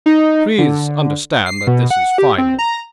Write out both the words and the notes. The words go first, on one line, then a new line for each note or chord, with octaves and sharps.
Please understand that this is final.
D#4
D3
C7
B2
F#5
G4
C4
A#5